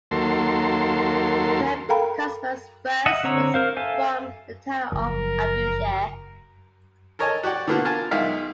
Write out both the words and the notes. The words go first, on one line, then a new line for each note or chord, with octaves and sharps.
Pope Cosmas I was from the town of Abu-Sair.
D#2 F#3 A#3 A4 C6
A4 A#4 F5 G5 A#5 B5
D#5 E5 F#5
D3 C4 C#5 A#5 E6
A#4 C5 F5
A4 E5 F5 G#5
F#1 F3 A#4
A4 A#4 C#5 D#5 G#5 A5
F#4 G4 D5 F#5
D3 A#3 B3 F4 F#4
F4 A#4 G#5 A5
B1 D#3 G#3 E5 F5